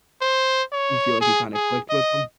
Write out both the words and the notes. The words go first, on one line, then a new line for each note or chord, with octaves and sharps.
You feel like you kinda clicked with 'em?
C5
C#5
G#4
G#4
D#5